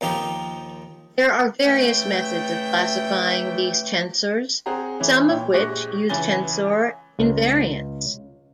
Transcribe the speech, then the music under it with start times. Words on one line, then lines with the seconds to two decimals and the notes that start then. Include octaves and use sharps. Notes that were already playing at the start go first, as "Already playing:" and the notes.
There are various methods of classifying these tensors, some of which use tensor invariants.
0.01 D#2 F3 D#4 G4
1.65 C#3 E3 A3 G5
4.66 C4 G#4 F#5 G5 A#5
5.00 E3 C#4
5.28 A#2 C#5 G5
5.54 A#1 G#3 G4 C#6 F#6 A#6
6.09 C#2 E3 C#4 G#5 A6 G7
7.19 C#2